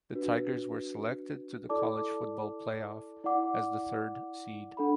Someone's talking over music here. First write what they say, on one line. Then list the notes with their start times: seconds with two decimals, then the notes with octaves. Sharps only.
The Tigers were selected to the College Football Playoff as the third seed.
0.15 D4 F#4 B4
1.69 E4 A4 D5 A5 D6
3.24 E4 D5 F#5 D6
4.77 D4 A4 F#5 B5